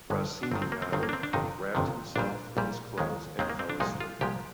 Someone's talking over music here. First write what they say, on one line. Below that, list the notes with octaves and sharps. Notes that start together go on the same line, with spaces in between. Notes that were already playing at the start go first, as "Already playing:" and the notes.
Rossini nodded, wrapped himself in his clothes and fell asleep.
G1 G2 D3 G#3
D4
G1 G2 D#3 C4
C4
A#3
C4
G1 G2 D#3 C4
A#3
D4
C4
D4
G1 F2 C3 D#3 D#4
G1 F2 C3 D#3
A#1 A#2 G3 D4
A#1 A#2 G3
D#2 D#3 G#3
D#2 D#3 G#3 C4
A#3
C4
D4
C2 A#2 F3 G#3 D#4
F4
C2 A#2 F3 G#3 G4